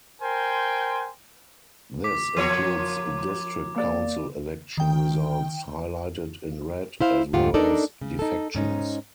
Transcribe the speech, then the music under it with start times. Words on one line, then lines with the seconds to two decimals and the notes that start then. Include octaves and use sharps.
This includes district council election results, highlighted in red, as well as defections.
0.21 A#4 C5 G5 G#5 C6
2.04 D6 B6
2.36 F3 A#4 C#5
3.76 A#3 D5
4.77 D#3 G5
7.01 E4 C5 F5
7.33 D2 G#2 F4 G4 F#5
7.54 D4 D#4 A4 A#4 D5
8.01 C#3
8.19 D#4 A4
8.55 G#2 C#4 D#4